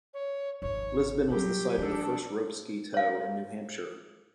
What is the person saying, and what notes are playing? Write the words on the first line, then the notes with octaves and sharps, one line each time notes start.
Lisbon was the site of the first rope ski tow in New Hampshire.
C#5
G#1 F2 C#5
F#3 G3 G4
F3 G3 D4 A4
C#5 F5